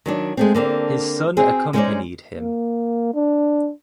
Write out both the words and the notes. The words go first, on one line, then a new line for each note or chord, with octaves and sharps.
His son accompanied him.
D#3 F#3 D4
G#3 A3 C4
D3 A#3 C4 D4
C4 F#4 G#4 C5
G#3 B3 C#4 D#4 C5 D5
A#3
D4